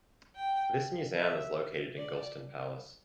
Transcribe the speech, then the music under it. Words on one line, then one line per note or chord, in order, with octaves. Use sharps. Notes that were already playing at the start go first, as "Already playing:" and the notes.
This museum is located in Golestan Palace.
G5
E5
D5